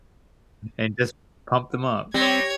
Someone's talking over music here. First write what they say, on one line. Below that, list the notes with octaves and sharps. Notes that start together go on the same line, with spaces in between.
and just pumped them up.
F#5
G3 C4 C#5 G#6 A#6